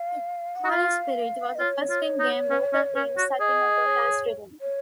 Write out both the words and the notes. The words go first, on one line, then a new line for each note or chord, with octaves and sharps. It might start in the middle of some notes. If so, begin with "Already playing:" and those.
"Holy Spirit" was the first in-game vocal theme Sakimoto has written.
Already playing: F5
F#5
F#4
F4 F5
D#5
F4 C#5
F4
D#4
C#4
C#4
C#4
F#4
G#4 D#5
C#5
C#5